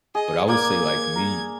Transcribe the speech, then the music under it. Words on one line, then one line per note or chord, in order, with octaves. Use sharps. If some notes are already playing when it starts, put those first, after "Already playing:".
but I would say like me,
G#4 D#5
A#3 D5 G#6
A#4